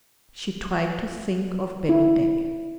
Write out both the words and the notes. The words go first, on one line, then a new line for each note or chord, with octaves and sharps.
She tried to think of Bennydeck.
E4